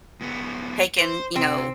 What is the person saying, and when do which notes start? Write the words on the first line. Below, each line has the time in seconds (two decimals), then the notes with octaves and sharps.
taken, you know,
0.21 G#2 B3
0.98 C5
1.36 C3 C4